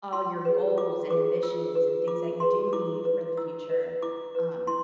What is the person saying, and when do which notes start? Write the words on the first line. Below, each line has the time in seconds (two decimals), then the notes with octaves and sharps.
all your goals and ambitions and things that you do need for the future, um,
0.13 F4 C6
0.45 G#4 B4
0.78 F4 D6
1.10 G#4 B4 D6
1.43 F4 E6
1.75 G#4 B4
2.07 F4 D6
2.40 G#4 B4 C6
2.73 E4 D6
3.05 B4
3.37 E4 E6
3.70 B4
4.02 E4 D6
4.35 B4
4.67 E4 C6